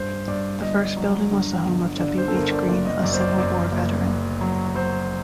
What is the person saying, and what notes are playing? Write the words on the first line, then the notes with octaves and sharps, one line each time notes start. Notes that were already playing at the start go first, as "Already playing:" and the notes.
The first building was the home of W. H. Green, a Civil War veteran.
Already playing: G2 C5
G2 D5
G1 D#5
F#3
D3
G1
D3 D5
C5
A4
G1 A#4
D5
F#1 D5
D#5
F#2 D5
C5
D5
F#2 D5
F#1
F#1
F#3
F#3 C5